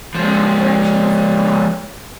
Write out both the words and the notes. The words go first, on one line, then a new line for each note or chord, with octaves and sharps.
'In what direction does it lie?'
F3 G#3